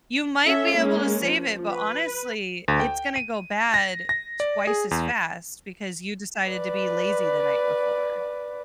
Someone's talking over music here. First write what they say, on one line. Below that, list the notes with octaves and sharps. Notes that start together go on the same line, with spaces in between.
you might be able to save it, but honestly, it's gonna go bad twice as fast because you decided to be lazy the night before.
C#4 A4 E5
G#3 A#3 C#4
F3
B4
D2
G5
D#7
A#6
A#6
D5
G#4
E2
B4 D5